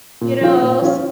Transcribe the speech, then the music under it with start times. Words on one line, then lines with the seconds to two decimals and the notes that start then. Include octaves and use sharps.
you know?
0.21 A#2
0.41 F3 C#4 F4
0.62 A#2
0.82 F3 C#4 F4